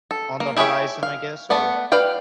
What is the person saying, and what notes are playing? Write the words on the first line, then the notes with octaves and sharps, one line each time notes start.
on the horizon, I guess? Or
A4
A#3
E4 G4 G#4 C#5 E5
F5
A3 B3 D5 F#5
B4 D5 F5 G5